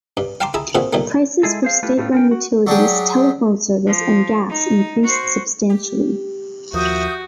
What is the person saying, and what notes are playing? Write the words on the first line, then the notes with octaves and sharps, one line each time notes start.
Prices for state-run utilities, telephone service, and gas increased substantially.
G2
F5 G5 A5 A#5 C6 D6
E4 G#4 A5 A#5
A#2 E3 C4 F#4 G#4
B1 A#2 G3 A3
G#3 E4 G#4 A4
G#4 C5 F5
A3 E4 F4 G4 B4
A2 A3 B3 C#4 F4
C#4 A#4 G5
F#4
F#3 D4 G4 G#4
F3
D#4
F#4 C5
G4
D#2 D#3 F3 F#4 E5 D#6 G6